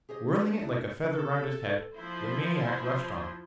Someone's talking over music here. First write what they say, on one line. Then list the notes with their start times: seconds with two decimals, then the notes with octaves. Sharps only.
Whirling it like a feather round his head, the maniac rushed on.
0.09 G4 G#4 C5 D#5
0.28 G#4
0.41 G3 B3 D4 B4
0.61 D4 E4 F#4 D5
1.10 A4
1.95 F3 E4 C5